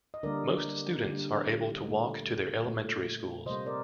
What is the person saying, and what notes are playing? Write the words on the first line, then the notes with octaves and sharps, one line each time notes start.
Most students are able to walk to their elementary schools.
D#5
D3 G3 A#3 A#4 D5
D3 G3 A#3
A#2 A3
A#2 A3
C3 G3 A#3 C5 D#5
A#4 D5